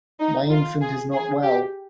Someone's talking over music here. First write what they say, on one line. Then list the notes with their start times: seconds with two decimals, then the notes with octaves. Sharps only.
My infant is not well.
0.20 D#4
0.50 F4
0.81 G#4
1.12 G#4
1.43 G4